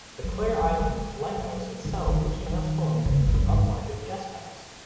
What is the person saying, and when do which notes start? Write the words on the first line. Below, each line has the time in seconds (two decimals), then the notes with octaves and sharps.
The Clare Island Lighthouse itself was transformed into an upmarket guesthouse.
0.24 F#3
0.42 D#3
0.61 F#3
0.80 G#3
1.36 F#3
1.85 D#3
1.93 E3
2.07 D#3
2.21 D#3
2.35 F#3
2.49 D#3
3.06 C#3
3.20 F#2
3.28 E2
3.34 F#2
3.49 G#2